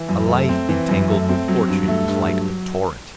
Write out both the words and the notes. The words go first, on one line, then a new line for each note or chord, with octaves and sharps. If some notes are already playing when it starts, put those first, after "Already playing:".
A life entangled with Fortune is like a torrent.
Already playing: E3
F#2
A3
C4
E3
F#2
A3
C4
F#3
G2
A3
G2
F#3